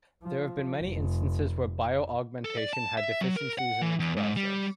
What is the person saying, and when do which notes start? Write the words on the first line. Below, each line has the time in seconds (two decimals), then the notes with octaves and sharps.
There have been many instances where bioaugmentation had deficiencies in its process.
0.23 F3
0.82 F1
2.45 A4
2.57 D5
2.73 A5
2.98 E5
3.21 F#3
3.37 A#4
3.58 F#5
3.82 E3
4.00 E2
4.17 G#2
4.37 G3